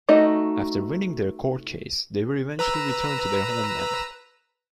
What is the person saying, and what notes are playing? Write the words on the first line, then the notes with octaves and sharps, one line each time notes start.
After winning their court case, they were eventually returned to their homeland.
A3 D#4 F#4 D#5
B4 A#5 E6